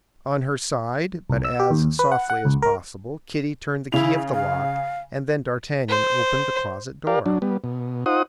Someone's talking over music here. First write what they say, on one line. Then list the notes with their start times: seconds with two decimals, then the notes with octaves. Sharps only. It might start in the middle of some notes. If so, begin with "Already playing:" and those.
On her side, but as softly as possible, Kitty turned the key of the lock, and then d'Artagnan opened the closet door.
1.30 C2
1.44 E6
1.59 G4
1.71 D#2
1.99 B4
2.12 F#5
2.30 F#5
2.45 C#2
2.62 A#4
3.92 C#3 E4 F7
4.34 F5
5.89 C5
7.07 G4 A#4 D5 F5
7.26 F#3 D4
7.42 G3 B3
7.64 B2
8.06 D#4 F4 C5 F#5 D#6